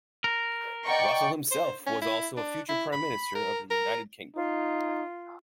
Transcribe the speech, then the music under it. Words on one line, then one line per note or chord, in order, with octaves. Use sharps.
Russell himself was also a future Prime Minister of the United Kingdom.
A#4
D5 D#5 F#5 G5 A#5 C#6
C5
C#4
E4
D4
E4
B5
A#4
A#4
D#4 F4